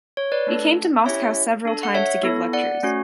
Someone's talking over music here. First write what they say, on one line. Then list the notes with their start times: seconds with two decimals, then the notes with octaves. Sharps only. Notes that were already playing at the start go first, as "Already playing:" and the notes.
He came to Moscow several times to give lectures.
0.17 C#5
0.32 B4 D5
0.47 A3 D4 A4
1.05 C#4 E4 G4 C#5 E5
1.65 D4 A4
1.83 F#5
1.94 C#5 E5
2.23 B3 E4 A4
2.53 D5 F#5
2.83 A3 C#4 F#4